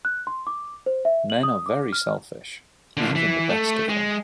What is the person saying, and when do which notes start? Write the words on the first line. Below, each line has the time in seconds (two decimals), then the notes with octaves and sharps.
Men are very selfish, even the best of them.
0.05 F#6
0.27 C6
0.47 D6
0.86 C5
1.05 E5
1.30 F#7
1.43 D#6
1.66 D6
1.93 F6
2.97 D3 F3
3.16 E3
3.49 A3
3.89 G#3